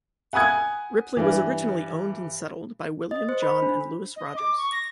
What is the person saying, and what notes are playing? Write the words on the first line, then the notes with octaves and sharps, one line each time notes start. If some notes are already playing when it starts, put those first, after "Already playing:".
Ripley was originally owned and settled by William, John, and Lewis Rodgers.
F#5 G#5 B5 D#6 F#6 G#6
G2 E3
D#5
C5
B5
D4
D#5
D6
C#6
A#6